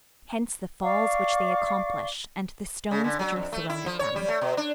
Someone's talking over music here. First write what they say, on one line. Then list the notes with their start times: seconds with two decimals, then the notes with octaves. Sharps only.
Hence the falls which they accomplish, and the stones which are thrown at them.
0.81 D5 F5 C#6 D6
2.91 C#3
3.04 D3
3.19 F#3
3.36 F2
3.52 A3
3.69 E4
3.86 F3
3.99 C#5
4.16 G3
4.28 A3
4.41 B2
4.57 D4